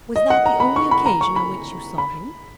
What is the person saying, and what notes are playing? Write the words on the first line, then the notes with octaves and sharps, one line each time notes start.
Was that the only occasion on which you saw him?
D#5
F#5
A#5
B5
C#6
B5
A#5
C#6
B5
B5